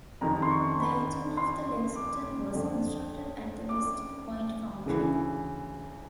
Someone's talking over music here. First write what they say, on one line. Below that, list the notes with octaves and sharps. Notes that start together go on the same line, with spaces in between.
The engine of the "Lexington" was constructed at the West Point Foundry.
F2 C3 D#3 A#5
C6
C#6
B5
C6
D6
F2 D3
D6
D2 C#3 E3